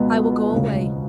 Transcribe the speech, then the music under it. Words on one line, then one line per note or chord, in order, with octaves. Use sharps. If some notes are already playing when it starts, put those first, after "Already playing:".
"I will go away."
Already playing: C#2 B2 G#3 B3
E1 D2 C#3